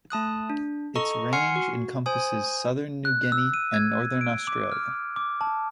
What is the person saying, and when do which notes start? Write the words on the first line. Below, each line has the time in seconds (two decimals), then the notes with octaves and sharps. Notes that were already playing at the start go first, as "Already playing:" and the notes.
It’s range encompasses southern New Guinea and northern Australia.
0.10 A3 A5 D#6 F#6
0.50 D4
0.96 A4 D#5 A#5 C#6
1.33 F#5 G#5 C6 F6 C7 C#7
1.56 F#4
2.06 C5 G#5 D#6
3.05 F#6
3.32 E6
3.54 D#7
3.74 G#6
4.21 D7
4.47 D6
4.72 F6
5.16 D6
5.41 A5